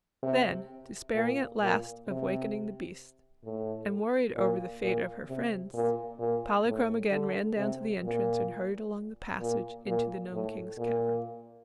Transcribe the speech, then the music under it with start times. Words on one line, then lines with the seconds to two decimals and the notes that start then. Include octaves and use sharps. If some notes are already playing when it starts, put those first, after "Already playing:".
Then, despairing at last of wakening the beast, and worried over the fate of her friends, Polychrome again ran down to the entrance and hurried along the passage into the Nome King's cavern.
0.23 C3
1.14 A#2
1.60 A#2
2.07 C3
3.44 A2
4.36 A#2
4.82 A#2
5.27 C3
5.74 A#2
6.19 A#2
6.66 A2
7.11 D3
7.57 C3
8.03 A#2
9.41 A#2
9.87 A#2
10.32 A2
10.78 A#2